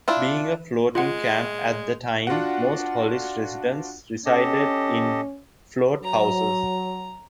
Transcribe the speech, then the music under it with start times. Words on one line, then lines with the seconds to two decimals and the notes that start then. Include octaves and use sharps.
Being a floating camp at the time, most Hollis residents resided in float houses.
0.08 D4 E4 F4
0.95 G#3 F4 F#5
2.27 D4 F4 F#4 F#5
4.26 C#4 G4 A4 D#5
6.03 F#3 A#5